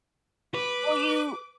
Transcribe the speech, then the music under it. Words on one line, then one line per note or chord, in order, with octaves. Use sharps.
Well, you
B4 D6